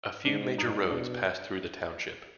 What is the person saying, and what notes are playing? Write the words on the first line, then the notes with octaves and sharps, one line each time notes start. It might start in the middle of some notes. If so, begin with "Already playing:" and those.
A few major roads pass through the township.
G#2 D4
G2 D#4
B2 D4